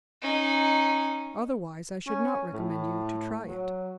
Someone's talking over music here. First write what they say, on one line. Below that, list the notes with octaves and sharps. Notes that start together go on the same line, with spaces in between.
Otherwise I should not recommend you to try it.
C#4 D#4
C#4
A2
F#3